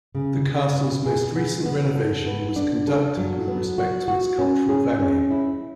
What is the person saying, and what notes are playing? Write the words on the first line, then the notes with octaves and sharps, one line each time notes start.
The castle's most recent renovation was conducted with respect to its cultural value.
C#3
C#3
B2
G#4
B3
B3
A4
B3
D4
A4
F#3
B3
F#4
F#4
C#4
G#4
C#4
E4